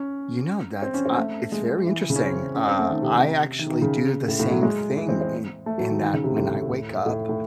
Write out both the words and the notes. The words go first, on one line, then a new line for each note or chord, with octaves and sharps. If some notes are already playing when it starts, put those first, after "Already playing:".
You know, that's a it's very interesting. Uh, I actually do the same thing in in that when I wake up,
Already playing: C#4
C4
C#4
C4
A3
G#3
E3
C#3
C#4
C4
C#4
C4
A3
D#3
C3
C3
D#3
D#3
C#3
A2
A2
F#3
G#3
E3
C4
C4
A3
F#3
D#3
D#3
C#3
C3
A2
A2
A2